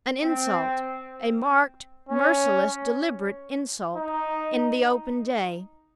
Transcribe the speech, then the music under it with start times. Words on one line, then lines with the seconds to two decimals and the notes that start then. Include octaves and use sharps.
An insult--a marked, merciless, deliberate insult in the open day!
0.22 C4
2.09 C#4
3.96 D#4